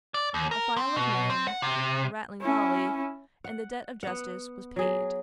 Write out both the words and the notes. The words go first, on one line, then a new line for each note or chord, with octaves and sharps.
A file of men, a rattling volley, and the debt of justice was paid.
D5
D#2
A#4
C4
B2
C4
F#5
C3
C#4 E4
F#5
B3 F#5
F#3 G#4